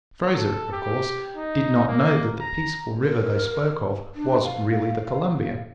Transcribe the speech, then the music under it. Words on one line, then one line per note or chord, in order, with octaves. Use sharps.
Fraser, of course, did not know that the peaceful river they spoke of was really the Columbia.
A4
G4
D#4
A#3
A#5
A#4
D4
F5